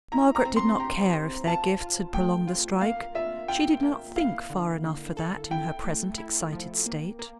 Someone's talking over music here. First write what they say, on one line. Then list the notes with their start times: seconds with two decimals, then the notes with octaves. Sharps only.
Margaret did not care if their gifts had prolonged the strike; she did not think far enough for that, in her present excited state.
0.12 E4 A#5
0.35 A#5
0.45 C4
0.56 C6
0.80 G4 A#5
1.13 C5
1.47 F4 A5
1.80 F4
2.14 A3 G5
2.48 F4
2.81 A#3 F5
3.15 F4 E5
3.48 F4 G5
3.83 A#3
4.16 E4 F5
4.50 D3
4.84 D3
5.17 A4
5.51 E4 G5
5.85 A3
6.18 E4
6.52 F3
6.86 A#3
7.19 A#3